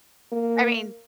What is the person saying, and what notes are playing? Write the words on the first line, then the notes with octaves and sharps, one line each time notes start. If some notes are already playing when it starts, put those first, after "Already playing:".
I mean
A#3